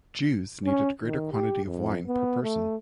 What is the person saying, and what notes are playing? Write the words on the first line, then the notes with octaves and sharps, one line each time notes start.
Jews needed a greater quantity of wine per person.
C#4
D#3
G4
F2
B3
A3